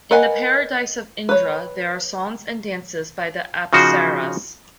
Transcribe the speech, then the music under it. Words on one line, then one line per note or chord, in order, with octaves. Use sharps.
In the Paradise of Indra there are songs and dances by the apsaras.
A#4 B4 D#5 F#5 G#5
B4 C#5
C#3 F3 D#4 F#4 C5